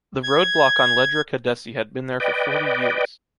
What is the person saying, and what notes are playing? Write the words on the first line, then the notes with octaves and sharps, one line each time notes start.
The road block on Ledra Caddesi had been there for forty years.
G#6
B4 D5 D#5 G5